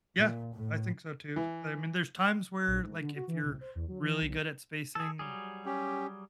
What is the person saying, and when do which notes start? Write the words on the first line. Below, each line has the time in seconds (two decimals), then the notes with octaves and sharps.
Yeah, I think so, too, I mean, there's times where, like, if you're really good at spacing
0.17 A#2
0.54 A2
1.36 E3
2.67 A#1
2.82 G#2
3.01 D3
3.15 F#4
3.28 E3
3.43 C2
3.61 C5
3.75 E2
3.88 F#3
4.01 E3
4.21 B1
4.95 G#4 A4
5.19 F#3 G3 G#4
5.66 C#4 G4